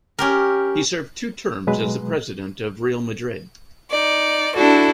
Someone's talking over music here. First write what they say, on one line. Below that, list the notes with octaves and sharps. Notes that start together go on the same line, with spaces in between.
He served two terms as the President of Real Madrid.
C#4 G4 A#4
B2 F#3 G#3 B4
D#4 D5
D4 E4 F#4 A4